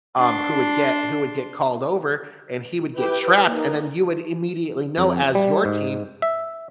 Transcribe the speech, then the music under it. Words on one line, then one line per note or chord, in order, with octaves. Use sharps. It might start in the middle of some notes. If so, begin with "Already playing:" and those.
um, who would get who would get called over and he would get trapped and then you would immediately know as your team
D4 C6
E4 G4 B4 G5
A#3 D#4
F2
G3
G#2
E5